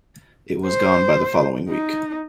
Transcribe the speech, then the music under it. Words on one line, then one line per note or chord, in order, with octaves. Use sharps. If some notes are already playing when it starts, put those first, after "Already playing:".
It was gone by the following week.
C5
D#4